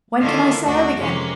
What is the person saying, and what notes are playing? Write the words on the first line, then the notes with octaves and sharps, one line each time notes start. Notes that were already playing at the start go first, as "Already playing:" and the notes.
"When can I set out again?"
D3 D#3 A#3 C#4 E4 F4
D2 D4 F#4
F2 C3 G#3 A#3 C#4